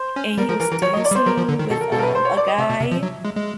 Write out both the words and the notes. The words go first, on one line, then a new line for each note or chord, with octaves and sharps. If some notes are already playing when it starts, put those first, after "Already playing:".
and he was dancing with, um, a guy,
Already playing: C5
C#4
G3 A#4
F3 A#4
E3 A#4
E3 A#4
F3 C#5
F#3 D#5
D5
G3
C5
F#3 A#4
F3
D3
D#3
B2 A4
A#4
B2 A4
A#4
B4
C5
C#5
D5
D#5
C3 E5
B2
C3
F3
F#3
G#3
G#3